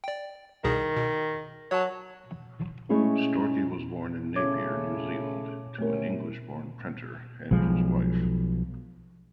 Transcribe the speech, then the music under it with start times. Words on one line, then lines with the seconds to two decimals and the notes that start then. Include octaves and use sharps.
Storkey was born in Napier, New Zealand, to an English-born printer and his wife.
0.04 D5 G5
0.64 C2 B2 D#3 G#4
0.95 B2
1.71 F#3 C#5 A5
2.89 G#3 A3 C#4 E4 G#4 E5
4.36 C#3 A3 C#4 C#5 D6 G#6
5.78 C3 A3 C#4 A#4
7.51 B1 F3 G#3